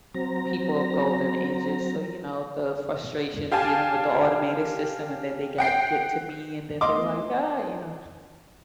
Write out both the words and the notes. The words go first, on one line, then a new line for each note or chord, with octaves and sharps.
People of golden ages, so, you know, the frustration dealing with the automated system and then they got get to me and then they're, like, "Ah," you know,
F#3 C4 A#5
G4 F5 G#5 A5
F#5 G5 C7
D#5 C6 D6